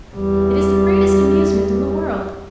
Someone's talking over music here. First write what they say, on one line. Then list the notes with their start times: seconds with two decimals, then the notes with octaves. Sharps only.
It is the greatest amusement in the world!
0.15 E2 G3